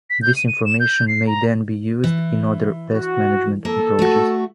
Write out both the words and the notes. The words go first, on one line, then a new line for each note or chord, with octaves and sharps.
This information may then be used in other pest management approaches.
B6
G6
D#7
D#7
E7
G6
C7
A#5
E3
F#4
A#3 A4
A3 F#4